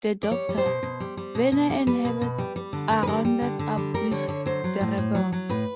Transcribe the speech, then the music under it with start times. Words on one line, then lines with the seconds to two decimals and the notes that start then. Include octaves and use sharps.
The Doctor, Vena and Herbert are rounded up with the rebels.
0.23 D5
0.31 G3 C#5
0.49 G3
0.58 C5
0.66 B2
0.83 B2
1.00 G3
1.17 G3
1.35 B2
1.52 B2
1.70 G3
1.87 G3 B4
2.05 B2
2.21 B2
2.38 G3
2.56 G3
2.73 D3
2.90 D3 A#4
3.03 B4
3.07 G3 A#4
3.25 G3
3.42 D3
3.59 D3
3.77 G3
3.94 G3 A#4
4.11 D3 C#5
4.28 D3 C#5
4.46 F#3 C5
4.64 F#3
4.81 A2
4.98 A2
5.15 F#3
5.32 F#3
5.49 A2 B4